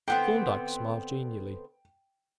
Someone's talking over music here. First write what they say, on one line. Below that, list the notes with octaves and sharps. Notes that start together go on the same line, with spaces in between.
Thorndyke smiled genially.
D3 B3 C4 G5